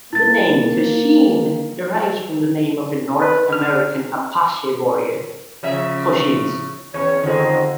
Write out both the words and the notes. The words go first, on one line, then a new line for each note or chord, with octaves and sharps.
The name Kosheen derives from the name of a North American Apache Warrior, Cochise.
A#3 E4 A6
B4
F6
C#3 F3 E5
E2 C#4 C#5
F2 D3 D#3 G#3